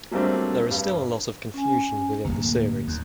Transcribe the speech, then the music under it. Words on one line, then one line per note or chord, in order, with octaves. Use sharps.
There is still a lot of confusion within the series.
F#3 G3 A3 A#3 C4 D4
G2
C#4 G#5
D1 G1 D2 A#3
D#2